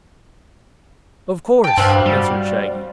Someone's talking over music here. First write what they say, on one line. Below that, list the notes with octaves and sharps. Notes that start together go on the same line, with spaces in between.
"Of course," answered Shaggy.
G5 A5
G2 C4 F#4 F5
G3